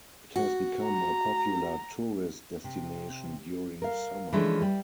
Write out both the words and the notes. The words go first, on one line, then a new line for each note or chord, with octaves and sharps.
It has become a popular tourist destination during summer.
F#4
A#5
C3
A#4 F5
E3 F3 G#3 A3 C#4 D4
G3